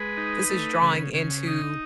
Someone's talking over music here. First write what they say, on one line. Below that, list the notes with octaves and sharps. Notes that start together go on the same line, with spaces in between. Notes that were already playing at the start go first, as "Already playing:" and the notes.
this is drawing into
Already playing: G#3 B4
D#4
A3
C#3
C#3
D#4